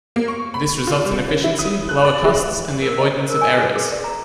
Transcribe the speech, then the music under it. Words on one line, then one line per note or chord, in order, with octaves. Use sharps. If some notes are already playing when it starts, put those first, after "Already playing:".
This results in efficiency, lower costs, and the avoidance of errors.
A#3
C#6
B5
F4
G3
C#4
E4
D#6
F#6
D5
G#3
A#4
D#5
C5
A#4
G#5
G#4
G#4
D5
A#5